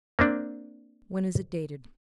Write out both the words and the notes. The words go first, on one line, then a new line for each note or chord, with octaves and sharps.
When is it dated?
A#3 C4 D4